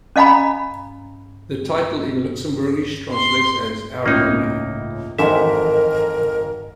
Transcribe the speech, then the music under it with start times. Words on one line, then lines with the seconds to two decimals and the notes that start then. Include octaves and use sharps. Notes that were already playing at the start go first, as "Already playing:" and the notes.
The title in Luxembourgish translates as "Our Homeland".
0.16 C#4 D#5 F5 G#5 A#5 B5
3.14 C6
4.06 C#2 A2 C#3 A#3 D#4
5.19 F2 G#2 D#3 E3 F#3 A4 A#4 E5